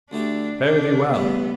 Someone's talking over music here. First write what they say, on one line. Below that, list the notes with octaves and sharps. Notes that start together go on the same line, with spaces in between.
Fare thee well!'
D2 D3 A3 D4 E4 G4
D4
A1 G2 G3 B3 D4